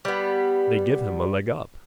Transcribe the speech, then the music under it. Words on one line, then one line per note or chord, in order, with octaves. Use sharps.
They give him a leg up.
G3 B3